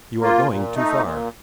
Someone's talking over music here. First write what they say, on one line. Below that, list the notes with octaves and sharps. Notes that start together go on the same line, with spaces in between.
You are going too far!
A#3 F4
A#2
A3 D#4
A#2